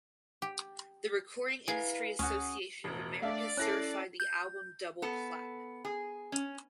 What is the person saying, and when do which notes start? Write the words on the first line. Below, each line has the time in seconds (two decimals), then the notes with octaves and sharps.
The Recording Industry Association of America certified the album double platinum.
0.42 G4
1.68 E4 G#4 B4 F5
2.19 D2 C#4 F#4 D#6
2.84 E1 A1
3.22 A3 D4 D5 E5 F5
3.57 C#4 E4 A4 F#6 A#6 C7
4.20 G6
5.02 B3 A4
5.85 G#4
6.32 C#4